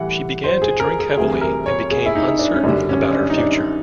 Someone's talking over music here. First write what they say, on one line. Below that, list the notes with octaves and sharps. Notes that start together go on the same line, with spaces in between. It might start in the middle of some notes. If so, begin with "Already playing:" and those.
She began to drink heavily, and became uncertain about her future.
Already playing: A2 E3 G3 F#5
C5
G#4
A#4
G#4
D2 C3 E3 G3 G#4
A#4
C#5
G#4
E4
D#4
D4
C#4
F#2 D3 G3 D4
C#4
D4
D#4
D4